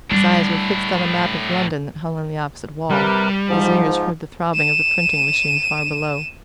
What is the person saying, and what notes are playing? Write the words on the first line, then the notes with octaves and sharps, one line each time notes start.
His eyes were fixed on a map of London that hung on the opposite wall; his ears heard the throbbing of the printing-machines far below.
A2 G3 D4 E4
C3 G3 A#4 B4
G#2 F3
D#7 E7